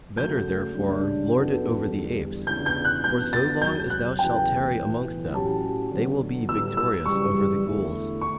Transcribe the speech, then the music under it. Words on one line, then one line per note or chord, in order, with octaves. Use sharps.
Better therefore lord it over the apes, for so long as thou shalt tarry amongst them they will be victorious over the Ghuls.
C#3 F#3 A3 G6
C#2 C#3 G3 D4
F#2 E3 B3 D4 A4
E2 D3 G3
E2 C#3 E3 B3 D4 G6
G6
F#6
F#2 E3 B3 G6
A6
E2 C#3 F#3 G6
F#6
E2 C#3 E3 A3 G5
B1 A2 E3
A2 F#3 C#4 G4 A5
D3 F#3 B3
A2 E3 G3 E6
E6
F#2 C#3 E3 G3 C#6
E2 D3 A3 E4
C#6